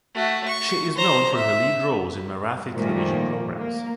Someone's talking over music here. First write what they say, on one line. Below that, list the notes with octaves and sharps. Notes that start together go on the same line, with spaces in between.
She is known for her lead roles in Marathi television programs.
A3 F#4
C#6
C5 A#5
E5
A#2 D#3 F3 G3 A3 A#3
A#3